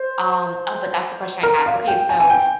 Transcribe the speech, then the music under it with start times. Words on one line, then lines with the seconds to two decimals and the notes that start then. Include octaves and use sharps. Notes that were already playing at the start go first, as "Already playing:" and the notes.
um oh, but that's the question I had, okay, so
Already playing: C5
1.43 A#4
1.66 F5
1.88 G5
2.09 G#5
2.20 G#5
2.30 G5